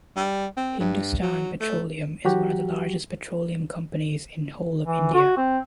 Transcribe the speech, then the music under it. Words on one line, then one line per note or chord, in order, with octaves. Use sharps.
Hindustan Petroleum is one of the largest petroleum companies in whole of India.
G3
C4
G2
F#3
A3
F#3 F#4 G4
E3
F#4
C4